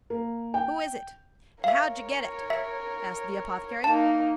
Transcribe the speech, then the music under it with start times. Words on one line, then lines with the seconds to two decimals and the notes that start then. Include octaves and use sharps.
'Who is it, and how did you get it?' asked the apothecary.
0.10 A#3
0.54 G5
1.64 A#4 C#5 E5 F5
2.50 E5
3.84 A#3 D#4 A5